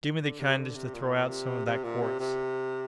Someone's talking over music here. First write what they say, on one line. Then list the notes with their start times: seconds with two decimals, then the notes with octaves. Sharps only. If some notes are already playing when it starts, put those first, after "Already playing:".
"Do me the kindness to throw out some of that quartz!"
0.21 D3
0.39 C3
0.57 D3
0.75 C3
0.94 A#2
1.29 C3
1.66 C3
1.84 A#2
2.01 C3
2.20 C3